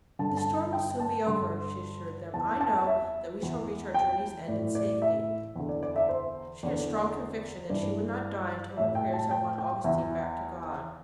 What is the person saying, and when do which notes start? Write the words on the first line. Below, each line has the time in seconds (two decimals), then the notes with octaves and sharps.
"The storm will soon be over," she assured them; "I know that we shall reach our journey's end in safety." She had a strong conviction that she would not die until her prayers had won Augustine back to God.
0.19 G2 D3 A5
0.37 A5
0.73 G5
1.00 A5
1.26 G2 D3 C6
2.34 E2 E3 A5
2.61 A5
2.87 E5
3.41 E2 E3
3.94 G5
4.48 A2 E3 D5
4.75 D5
5.02 E5
5.55 E2 D3
5.69 D5
5.83 D5
5.96 E5
6.09 C5
6.63 E2 D3 D5
7.70 G2 E3 D5
8.77 A2 E3 E5
8.95 G5
9.13 A5
9.31 G5
9.58 G5
9.84 E2 E3 E5